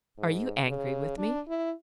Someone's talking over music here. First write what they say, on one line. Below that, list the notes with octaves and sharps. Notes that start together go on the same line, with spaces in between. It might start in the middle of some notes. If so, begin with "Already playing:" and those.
Are you angry with me?'
G#2
C#3
D4
E4